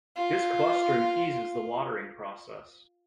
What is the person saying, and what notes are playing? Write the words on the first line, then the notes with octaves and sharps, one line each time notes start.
This clustering eases the lautering process.
F4